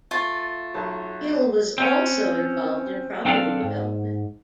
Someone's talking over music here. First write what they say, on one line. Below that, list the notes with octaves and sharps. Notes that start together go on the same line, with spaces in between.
Hill was also involved in property development.
A3 F4
B1 F#3 A5
C4 C#4
B1 C4 D4 A4 D5 F5
G#2